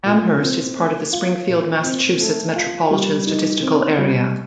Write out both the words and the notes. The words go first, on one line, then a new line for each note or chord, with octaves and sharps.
Amherst is part of the Springfield, Massachusetts Metropolitan Statistical Area.
A#2
C4
A3
F4
A#2
C4
A3
F4
G3
D#4
C4
G3